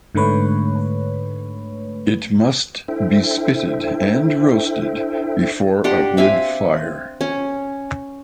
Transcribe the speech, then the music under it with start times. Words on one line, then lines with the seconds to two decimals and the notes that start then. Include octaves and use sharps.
It must be spitted and roasted before a wood fire.
0.15 G#2 D3 A3 B4 C#5
2.88 D4 E4 A4 C5 E5 G5
5.84 D4 G4 F#5 C6
6.17 C4 E5 F5 G#5
7.21 C#4